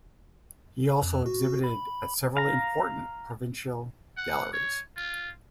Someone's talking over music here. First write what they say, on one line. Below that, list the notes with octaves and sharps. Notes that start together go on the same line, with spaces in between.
He also exhibited at several important provincial galleries.
F2
F#4
B5
F5 A#5
F#5
C#5
F4